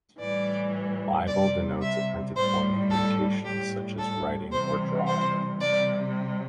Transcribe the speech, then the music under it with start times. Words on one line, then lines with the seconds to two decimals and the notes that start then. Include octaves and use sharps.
Libel denotes a printed form of communication such as writing or drawing.
0.20 A2 E3 G3 D5
1.27 C3 G3 D5
1.82 E5
2.35 A2 G3 C5
2.90 A4
3.43 A2 G3 G4
3.98 A4
4.52 C3 E3 G3 C5
5.07 C5
5.59 C3 G3 D5